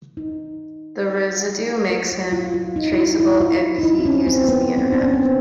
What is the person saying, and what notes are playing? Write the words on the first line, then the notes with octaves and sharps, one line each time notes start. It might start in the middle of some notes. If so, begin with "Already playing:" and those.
The residue makes him traceable if he uses the internet.
D#4
F4
F4
F4
F4
D#4
E4
D#4
E4
E4
F4
D#4
E4
C4
C#4
C4
B3
C4
D4
C#4
C4
B3